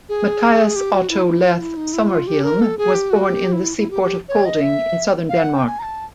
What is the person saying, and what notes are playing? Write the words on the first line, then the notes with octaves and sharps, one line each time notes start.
Mathias Otto Leth Sommerhielm was born in the seaport of Kolding in southern Denmark.
G#4
G4
F#4
E4
E4
F4
E4
D#4
E4
F4
G4
A#4
A4
G#4
G4
F#4
G4
E4
E4
G4
G4
C#5
D#5
E5
F5
F#5
G5
G#5
A#5
A5